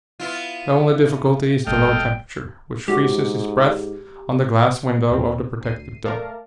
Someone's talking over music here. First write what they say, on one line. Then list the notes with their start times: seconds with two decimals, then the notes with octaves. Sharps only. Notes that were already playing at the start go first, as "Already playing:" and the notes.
The only difficulty is the low temperature, which freezes his breath on the glass window of the protecting dome.
0.20 B3 E4 F4
1.67 G1 A2 A4 D#5 F5 G5
2.88 G#2 G#3 F#4 G4
5.11 D#2 A#2 C4
5.61 D2 C7 D#7
6.05 A3 A#4 D5 F5 A5